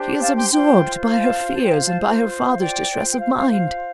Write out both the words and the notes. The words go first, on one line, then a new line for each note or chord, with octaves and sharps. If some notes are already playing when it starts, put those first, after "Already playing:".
She is absorbed by her fears and by her father's distress of mind.
Already playing: D4 G4 C5
F5 A5
G5 C6
F4 C5 G5 C6
F5 A5
C6
A5
G5
F4 C5 F5
F5 A5
F5
D5 G5
F4 C5
G5
F5
F5
F5